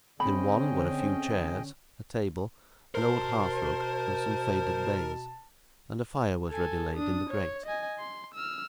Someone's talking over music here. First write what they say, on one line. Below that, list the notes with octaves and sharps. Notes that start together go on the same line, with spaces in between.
In one, were a few chairs, a table, an old hearth-rug, and some faded baize; and a fire was ready laid in the grate.
D3 C4 C#4 G#4 D#5 G5 B5
B2 A#4 C5 A5
A4 G#5
D4 D#6
C#5
D#5 G#5
C6
E6 F6